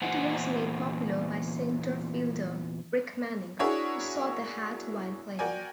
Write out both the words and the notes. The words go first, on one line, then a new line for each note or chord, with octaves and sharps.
It was made popular by center-fielder Rick Manning, who saw the hat while playing.
E2 A#2 C5 F#5 G#5
D4 E4 F#4 G#4 A#4 C#5
F#4 A#4 D5 G5 G#5